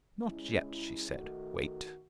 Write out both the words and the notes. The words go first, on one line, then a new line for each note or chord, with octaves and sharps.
"Not yet," she said; "wait."
C#3 G#3 C#4 E4
D#3 A3 D#4 F#4